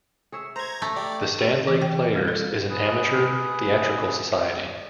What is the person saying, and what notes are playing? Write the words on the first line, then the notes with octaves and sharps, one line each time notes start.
The Standlake Players is an amateur theatrical society.
G#4 C#5 E5
C5 A#5 G#6
A3
G4 D5
G4
E3
G5
G3
A4
G#4 B4